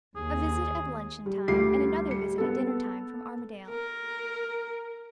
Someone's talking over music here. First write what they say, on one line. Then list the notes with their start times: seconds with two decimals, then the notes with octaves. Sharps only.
A visit at luncheon-time and another visit at dinner-time from Armadale.
0.16 D#2 G#4
1.26 G3
1.48 D2 G3 F4 G4 D6 C7
2.09 G3 C#7
2.38 B3 A4
3.69 A#4